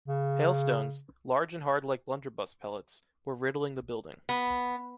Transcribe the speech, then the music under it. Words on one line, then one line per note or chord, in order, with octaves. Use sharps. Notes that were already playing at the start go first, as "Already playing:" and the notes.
Hailstones, large and hard like blunderbuss pellets, were riddling the building.
C#3
B3